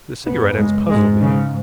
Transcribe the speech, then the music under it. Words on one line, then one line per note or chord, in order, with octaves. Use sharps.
The cigarette-ends puzzled me.
F#2 C#3 B3
G#3
G#2 G#3
C#3